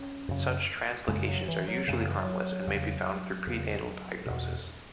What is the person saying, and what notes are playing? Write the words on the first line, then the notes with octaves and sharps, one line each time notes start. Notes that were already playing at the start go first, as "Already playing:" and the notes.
Such translocations are usually harmless and may be found through prenatal diagnosis.
Already playing: C#4
F#2 C#3
F#2 C#3 G#3
F#3
E3
F#3
F#2 C#3 G#3
F#3
E3
F#3
E2 C#3
E2 C#3
E2 B2